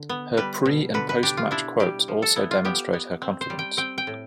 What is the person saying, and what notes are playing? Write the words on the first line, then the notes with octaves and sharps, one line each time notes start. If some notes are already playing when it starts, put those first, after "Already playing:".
Her pre- and post-match quotes also demonstrate her confidence.
Already playing: D3
B3
G3 B4
B2
D3 B4
B4
D4 G4
F4
D4 E4
G3 G4
F3
A4
B3 E4
F4
B3 G4
B3
C4
C5
G3
G5
C4 G5
G5
A2